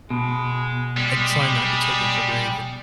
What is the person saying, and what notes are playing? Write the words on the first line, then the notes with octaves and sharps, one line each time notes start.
I try not to take it for granted.
B2 G#3
G3 G#3